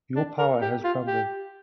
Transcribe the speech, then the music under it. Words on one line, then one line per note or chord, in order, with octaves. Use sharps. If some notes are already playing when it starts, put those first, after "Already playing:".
Your power has crumbled.
D4
A#4
G4
F4
G4